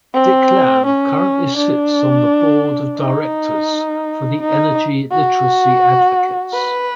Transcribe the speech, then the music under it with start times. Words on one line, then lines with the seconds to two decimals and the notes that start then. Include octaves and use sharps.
Dick Lamm currently sits on the board of directors for the Energy Literacy Advocates.
0.13 C4
0.85 C#4
1.56 D4
2.99 D#4
4.41 D#4
5.11 F#4
6.53 B4